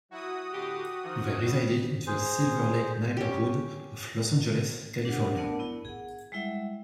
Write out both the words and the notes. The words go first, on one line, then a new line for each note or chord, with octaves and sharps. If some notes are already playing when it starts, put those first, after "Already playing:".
They resided in the Silver Lake neighborhood of Los Angeles, California.
F#3 E4 F#4 D#6
A2 D3 G4
D#3 F3
G3
G#4 C5
C#4 G4
D4 G4 A#4 F#5
A3 B3 D4 A#4 D5 F#5
B3 E4
G#4 F#5
G3 G#3 E4 E5 F#5